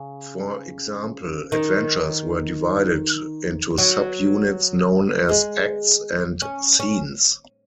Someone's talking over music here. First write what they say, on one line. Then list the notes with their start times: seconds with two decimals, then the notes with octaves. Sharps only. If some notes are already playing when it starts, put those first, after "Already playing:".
For example, adventures were divided into sub units known as "acts" and "scenes".
Already playing: C#3
1.52 D#3
3.78 F#3
5.29 G#3
6.42 C#4
6.80 C#4